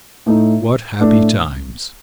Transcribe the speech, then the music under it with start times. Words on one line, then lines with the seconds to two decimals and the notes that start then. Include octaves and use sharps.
What happy times!
0.26 A2 A3 D#4
1.01 A2 A3 D4